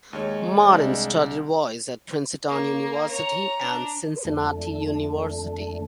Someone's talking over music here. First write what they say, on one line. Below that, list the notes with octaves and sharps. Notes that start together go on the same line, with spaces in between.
Martin studied voice at Princeton University and Cincinnati University.
D#2 G#3 C#5
C2 D4
A#3
C#5 A#5
D4
F2 D3 A3